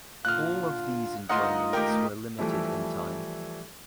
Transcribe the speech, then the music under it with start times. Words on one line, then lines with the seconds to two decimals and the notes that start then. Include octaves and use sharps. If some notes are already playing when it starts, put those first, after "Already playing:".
All of these enjoyments were limited in time.
0.25 A#2 D3 F4 F6 F#6
1.29 D2 D#4 F4 A#4 D#5 F#5 C6
1.73 D#3 A3 D#4 G4 A#4 G5
2.38 E3 F3 G3 A3 E4